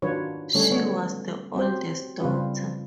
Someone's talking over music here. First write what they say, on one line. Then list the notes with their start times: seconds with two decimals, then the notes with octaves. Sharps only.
She was the oldest daughter.
0.02 D#3 F#3 D4 F4 B4 C#5
0.54 D3 G3 A3 C#4 A4 C#5
0.71 B3 C#5
1.55 F#3 C4 G4 C5
2.20 C#3 G3 C4 F4 B4